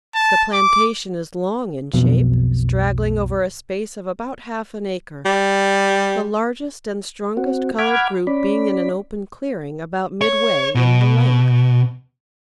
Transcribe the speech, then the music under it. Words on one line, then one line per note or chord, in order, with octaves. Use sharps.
The plantation is long in shape, straggling over a space of about half an acre, the largest and strongest-coloured group being in an open clearing about midway in the length.
A5
D6
B1 F2 B2
G3
C4 F#4
F#5 B5 D6 F6 G#6
C#4 D5 B5
C#5
B2